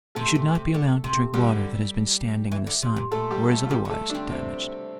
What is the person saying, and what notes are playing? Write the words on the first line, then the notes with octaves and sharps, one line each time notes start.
He should not be allowed to drink water that has been standing in the sun, or is otherwise damaged.
C3 A3 A4
A#2
C3
D3
C3
D3 G3 G4
E3
D3
C3
A#2
A#2 A3 A4
G3 G4
A3 A4
F4
C3 G3 G4
D3
A3 A4
D3 D4
C4
C3 C4